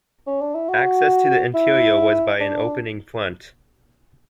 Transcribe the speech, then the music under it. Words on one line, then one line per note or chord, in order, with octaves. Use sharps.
Access to the interior was by an opening front.
C#4
D4
E4
F#4
E4
D4